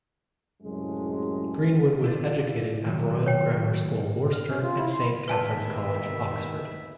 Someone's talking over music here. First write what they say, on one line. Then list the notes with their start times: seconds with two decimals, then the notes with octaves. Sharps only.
Greenwood was educated at Royal Grammar School Worcester and Saint Catherine's College, Oxford.
0.62 C2 F#2 A2 C#3 F#3 G#3
2.04 E4 F4 D5
2.86 D#3 F#3
3.26 C#5 G5
4.33 F6
4.50 C#4
4.63 F4
4.78 E4
4.92 C6
5.28 D#3 A#3 B3 G4 B4 E5 G#5 A5